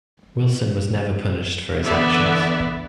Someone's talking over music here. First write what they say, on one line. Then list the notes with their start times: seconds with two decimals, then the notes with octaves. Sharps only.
Wilson was never punished for his actions.
1.83 D3 E3 B3 D5 E5